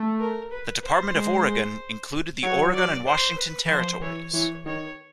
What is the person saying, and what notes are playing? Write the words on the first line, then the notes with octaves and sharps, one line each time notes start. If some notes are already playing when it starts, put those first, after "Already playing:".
The Department of Oregon included the Oregon and Washington Territories.
Already playing: A3
A#4
B4
C5
G#3
F#3 C#5
D5
C5
B4
E3
F3 C5
E3 C#5
E3 C#5
D#3 C#5